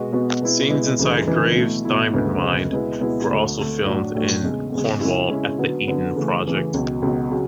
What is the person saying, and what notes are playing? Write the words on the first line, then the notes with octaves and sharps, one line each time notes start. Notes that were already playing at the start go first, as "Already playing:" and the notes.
Scenes inside Graves' diamond mine were also filmed in Cornwall, at the Eden Project.
Already playing: B2 G#3 B3 F#4
B2 G#3 B3 F#4
B2 G#3 B3 E4
B2 G#3 B3 E4
D2 C#3 E3 G#3
D2 C#3 E3 G#3
B2 A3 E4
B2 A3 E4
D2 C#3 G#3 B3
D2 C#3 G#3 B3
B2 G#3 B3 E4
B2 G#3 B3 E4
D2 D3 A3
D2 D3 A3
A2 F#3 A3 D4 F#4
A2 F#3 A3 D4 F#4
E2 C#3 G#3
E2 C#3 G#3
C#3 G#3 C#4 E4
C#3 G#3 C#4 E4
D3 F#3 B3
D3 F#3 B3
C#3 E3 A3
C#3 E3 A3
C#2 B2 F#3
C#2 B2 F#3
C#3 F#3